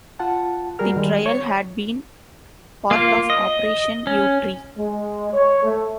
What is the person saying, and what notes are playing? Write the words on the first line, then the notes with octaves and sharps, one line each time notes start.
The trial had been part of Operation Yewtree.
F4 F#5 A5
G3 F#4 G#4 A#4 F6
D#3 G3 G#3
C#5
A#3 F4
D#5
C#4
G#3
C#5
A3